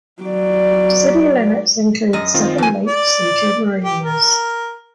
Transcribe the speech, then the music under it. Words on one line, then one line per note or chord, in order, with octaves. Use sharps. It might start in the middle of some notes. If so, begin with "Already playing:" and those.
The city limits include seven lakes and two marinas.
F#3 D5
F#2 D#5
D#3 C4 F4
F2 G#5
D5
G4
A#4